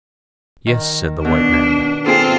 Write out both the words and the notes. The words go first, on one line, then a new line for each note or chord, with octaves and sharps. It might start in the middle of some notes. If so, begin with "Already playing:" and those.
"Yes," said the white man.
D#3
B2 D4
C4 F4 G#4 A4